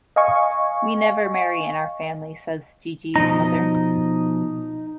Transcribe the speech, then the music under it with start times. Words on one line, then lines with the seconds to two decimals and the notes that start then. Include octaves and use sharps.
"We never marry in our family", says Gigi's mother.
0.16 D#5 F5 G#5 C#6
3.16 B2 F3 D#4 D#5 A#5